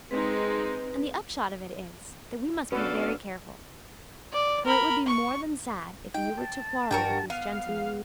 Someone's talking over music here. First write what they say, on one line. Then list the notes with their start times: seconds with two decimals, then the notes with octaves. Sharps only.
And the upshot of it is, that we must be very careful; for it would be more than sad if you were to quarrel with these gentlemen.
0.11 G#3 C4 D#4 B4
2.72 B2 C#4 D4 A4 B4 F5
4.32 D5
4.65 A#4 B5
5.06 C#6
6.14 D#4 G5
6.38 A5
6.91 G2 F#4 A#4 G5
7.30 B3 F5
7.69 G#3